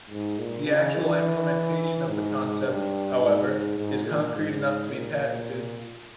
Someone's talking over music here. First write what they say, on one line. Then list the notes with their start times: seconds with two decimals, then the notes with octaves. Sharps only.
The actual implementation of the concept, however, is concrete enough to be patented.
0.10 G#2
0.39 A#2
0.66 C#3
0.95 E3
2.08 G#2
2.65 G2
3.21 G#2
3.78 G#2
4.07 A#2
4.34 G#2
4.91 A#2